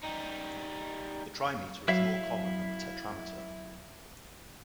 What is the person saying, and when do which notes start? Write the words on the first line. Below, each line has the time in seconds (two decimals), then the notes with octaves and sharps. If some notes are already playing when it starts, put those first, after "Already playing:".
The trimeter is more common than the tetrameter.
0.03 G3 D#4
1.88 F#3 E4 E5 F5